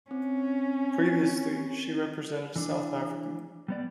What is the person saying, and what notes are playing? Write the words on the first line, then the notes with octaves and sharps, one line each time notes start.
Previously, she represented South Africa.
C4 C#4
E3 D4
G3 B3 D5